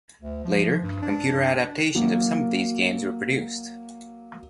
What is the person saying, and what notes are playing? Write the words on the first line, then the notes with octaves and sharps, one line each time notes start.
Later, computer adaptations of some of these games were produced.
D2
F3
G2
D4
F#3 A#3